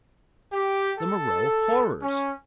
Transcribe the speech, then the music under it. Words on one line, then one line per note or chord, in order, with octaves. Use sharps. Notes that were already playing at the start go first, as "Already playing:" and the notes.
"The Moreau Horrors!"
G4
A4
C#4